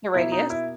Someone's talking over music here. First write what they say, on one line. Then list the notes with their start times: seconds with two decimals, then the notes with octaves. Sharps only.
The radius.
0.14 B2 A#3 E4
0.32 D#4
0.50 E4